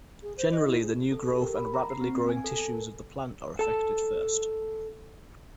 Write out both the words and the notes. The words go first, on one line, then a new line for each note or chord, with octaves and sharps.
Generally, the new growth and rapidly growing tissues of the plant are affected first.
G#4
C5
D#5
E4
G#4
A4
G4
A#4
B5
A#5
C7
C4
B3
G#5
A4
A4
A#4
A4 A5